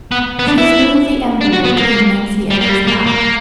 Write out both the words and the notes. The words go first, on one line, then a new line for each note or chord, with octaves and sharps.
She threw the envelope in Nancy Ellen's lap.
B3
B3
D4
E4
D4
F#4
B3
A#3
G3
A#3
G3
A#3
A#3